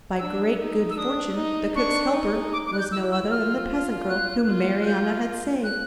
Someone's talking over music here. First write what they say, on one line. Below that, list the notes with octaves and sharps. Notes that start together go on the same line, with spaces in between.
By great good fortune, the cook's helper was no other than the peasant girl whom Marianna had saved.
D4 E6
D#4
E6
D4 D#6
D#4
D4 C#6
D#4
D6
D6
F#6
G6
E4 E6
E6
F4 F6
F#6
F4
F#6
G6
F#6